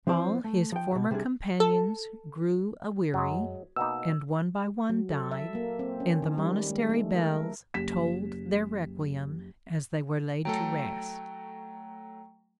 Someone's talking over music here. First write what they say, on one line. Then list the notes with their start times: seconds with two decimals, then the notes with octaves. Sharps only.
All his former companions grew aweary, and one by one died, and the monastery bells tolled their requiem as they were laid to rest.
0.07 F3 C4 E4 C5 D5
0.44 A3
0.72 F3 G5
0.91 E2 B2
1.11 C3 G3 A3 D4 G#4
1.60 A4
3.14 F#2 F#3 G#3
3.76 B2 A#3 D#4 E6
4.90 F#3
5.10 A4
5.31 E5
5.55 A#3
5.79 C4
6.00 C#4
6.22 D#3
6.38 G3
6.70 G#3
6.89 A3
7.16 A#4
7.74 F#1 G4 B6 E7
10.45 F#3 A3 A4 G5 A#5